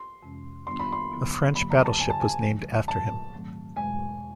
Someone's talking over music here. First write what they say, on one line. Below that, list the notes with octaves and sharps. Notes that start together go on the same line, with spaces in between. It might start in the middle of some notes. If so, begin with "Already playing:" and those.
A French battleship was named after him.
Already playing: C6
F2 C3 E3 G#3 C#4
D#3 G3 B3 D4 F4 C6
B5
C6
D3 F#3 B3 E4
G2 D3 F#3 A#3 B5
A#5
A5
F2 C#3 F#3 G#5
A5
G#5
D2 D3 F3 G#3
A#2 F#3 A3 A5
G#2 D#3 F#3 A3 C4
E2 B2 G#3 G#5